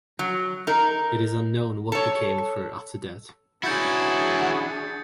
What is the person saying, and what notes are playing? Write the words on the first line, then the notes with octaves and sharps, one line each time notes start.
It is unknown what became of her after that.
F#3
D#4 A#4
A4 C#5
C#4 D4 E4 F#4 G#4 G6 A6 C#7